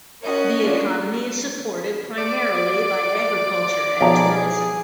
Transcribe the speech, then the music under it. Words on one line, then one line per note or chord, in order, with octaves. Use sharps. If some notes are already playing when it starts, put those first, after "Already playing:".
The economy is supported primarily by agriculture and tourism.
C#4 F#4 A#4 D#5
D4 F4
D5
B1 F3 B3 G#4 A#5